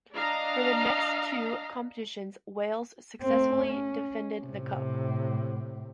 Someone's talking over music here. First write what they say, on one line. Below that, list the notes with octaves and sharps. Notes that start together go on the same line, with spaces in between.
For the next two competitions Wales successfully defended the cup.
D4 D#5 F5 A#5
A3 C4
C#4
A2 C3